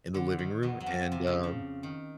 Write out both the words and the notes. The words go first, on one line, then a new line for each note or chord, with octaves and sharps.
in the living room, and, um
D3
D#3
E2 E3
F#3
F2 F3
C3
C#3
C#3
D#3